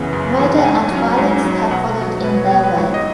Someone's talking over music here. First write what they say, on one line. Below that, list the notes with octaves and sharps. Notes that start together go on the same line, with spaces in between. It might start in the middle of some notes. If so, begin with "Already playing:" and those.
Murder and violence have followed in their wake.
Already playing: F#2 C#3 E3 B3
F#2
C#3 E3 B3
F#5
G#2 G#5
F#3 C#4
G#2
F#3 C#4
B2 F#5
F#3 B3
B2 B4
C#5
F#3 B3 C#5
B4
G#2 C#5
D#5